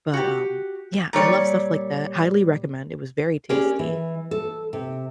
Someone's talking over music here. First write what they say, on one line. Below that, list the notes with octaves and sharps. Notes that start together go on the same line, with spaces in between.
but, um, yeah, I love stuff like that, highly recommend, it was very tasty,
F#4 G4
A#2 G3 C#5 D5
C#4 G4 G#4 A#4 D5
E3
A4
C3